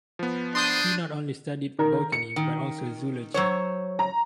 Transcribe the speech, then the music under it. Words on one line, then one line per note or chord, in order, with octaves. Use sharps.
He not only studied botany but also zoology.
F3 B3
D4 C6 D#6 G6
D#3 A#4
C#7
D#3
F#3 C5 C#5
A#5